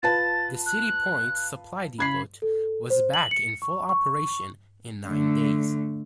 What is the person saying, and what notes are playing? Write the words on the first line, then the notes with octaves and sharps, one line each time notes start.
The City Point supply depot was back in full operation in nine days.
F4 B4 A5 A6
F#6
C#3 B5 G#6 C7
A4
C5
F#7
C#7
C#6
C#6
D3 A3